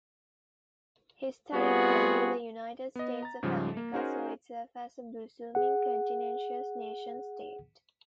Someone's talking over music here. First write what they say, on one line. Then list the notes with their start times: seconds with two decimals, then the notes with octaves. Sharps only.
Historically, the United States of America saw itself as a blossoming continental nation-state.
1.53 G3 B3 C4 F4 F#4 G#4
2.95 B3 D#5
3.23 A#5 A6
3.43 G#2 C#3 F3 G3
3.77 A#3
3.93 C#4 D#4 F#4 G#4 A#4 C5
5.55 G#4 F#5